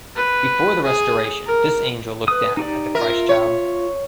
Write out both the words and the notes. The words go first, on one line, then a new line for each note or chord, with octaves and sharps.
Before the restoration this angel looked down at the Christ child.
B4
G#4
A#4
B4 D#6
D#4 G4 D5
F4 A#4 E5
C#5